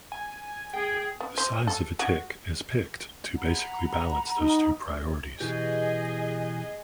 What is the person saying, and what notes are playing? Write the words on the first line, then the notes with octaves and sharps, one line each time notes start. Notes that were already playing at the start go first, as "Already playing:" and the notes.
The size of a tick is picked to basically balance those two priorities.
G#5
G#4 G5
B3
C5
A4
F#4
F#5 A#5 B5
D#4
B2 E3 G4 G#4 D#5